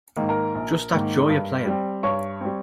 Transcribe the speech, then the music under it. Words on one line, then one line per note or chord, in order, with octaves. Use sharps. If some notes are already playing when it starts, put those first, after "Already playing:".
Just that joy of playing.
G#2 D#3 A#3
A#4 A#5
A#1
G#2 D#3 A#3
G2
G3 C4
G2 C#5 C#6
G3 C4